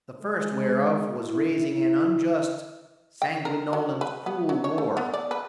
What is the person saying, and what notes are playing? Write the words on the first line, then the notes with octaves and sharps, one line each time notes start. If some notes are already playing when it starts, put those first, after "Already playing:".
The first whereof was raising an unjust, sanguinolent, cruel War.
G#3
E4
G5
A#4
F#3
B4
B3
F#3
C#5
A3
B3
D5
B4